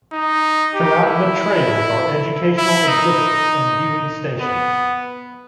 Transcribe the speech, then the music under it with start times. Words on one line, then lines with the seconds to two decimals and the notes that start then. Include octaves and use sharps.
Throughout the trails are educational exhibits and viewing stations.
0.12 D#4
0.74 G4
1.04 E4
2.58 E4
2.88 D#4
4.41 B3